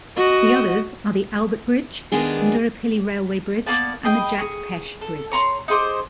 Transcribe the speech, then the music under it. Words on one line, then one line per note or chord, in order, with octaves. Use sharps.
The others are the Albert Bridge, Indooroopilly Railway Bridge, and the Jack Pesch Bridge.
F#4 D#5
D#2 D#3 G#3 B3 D4 G#4
A#3 B3 D5 A5
G#4 B4 D#5 G5
G#4 C#6
A4
C#5 A#5 C6
D#4 G#4 C5 D6